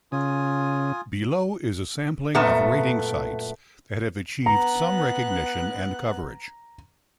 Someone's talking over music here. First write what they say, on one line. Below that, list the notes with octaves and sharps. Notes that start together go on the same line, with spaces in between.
Below is a sampling of rating sites that have achieved some recognition and coverage.
C#3 F4 G#5 D#6
F#2 A#2 A3 B3 A5
B3 A#5 F#6